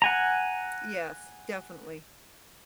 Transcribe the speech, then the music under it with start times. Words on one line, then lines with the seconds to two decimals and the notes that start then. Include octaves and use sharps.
Yes. Definitely.
0.02 F#5 G#5 A#5